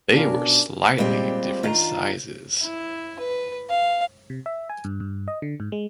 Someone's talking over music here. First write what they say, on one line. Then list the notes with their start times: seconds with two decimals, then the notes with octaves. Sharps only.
They were slightly different sizes.
0.13 B2 C#4 D4 F4 A#4
0.98 A#2 G3 G#3 C4 F4 G4
1.63 D#3 D4 F4 A#5
2.63 E4
3.19 B4
3.69 F5
4.30 C3
4.46 E5
4.70 G#5
4.84 G2
5.00 G2
5.28 D#5
5.42 D3
5.60 G#2
5.72 G#3